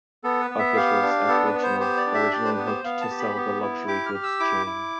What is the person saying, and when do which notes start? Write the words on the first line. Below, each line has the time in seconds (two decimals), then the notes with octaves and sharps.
Officials at Fortunoff originally hoped to sell the luxury-goods chain.
0.24 B3 A4
0.41 B4
0.50 B3
0.59 E5
0.76 G4 F5
1.02 D4
1.28 B3 A4
1.45 B4
1.54 B3
1.63 C5
1.80 G4 C5
1.97 D5
2.06 D4
2.15 E5
2.32 G4 D5
2.45 C5
2.49 B4
2.58 B3
2.66 C5
2.84 B3 F5
3.01 A5
3.10 G4
3.19 B5
3.36 B3
3.62 E4
3.88 G4 D6
4.06 F6
4.14 G4
4.23 E6
4.40 E4 D6
4.66 E4